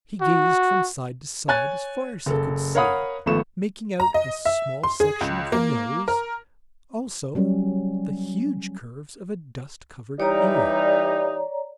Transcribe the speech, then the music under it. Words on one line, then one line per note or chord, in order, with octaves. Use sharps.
He gazed from side to side as far as he could see, making out a small section of the nose, also the huge curves of a dust-covered ear.
F#4
C#5 G#5 F#6 A6
F#1 A4
A#4 C#5 F5 F#5 B5 D#6
G#1 F3 A3 B3 C#6 E7
A#5
D#5
E5
C6
G#4
C#2
A#3
A#4
F#3 G3 C#4
E3 G3 D#4 C#5 D5 A#5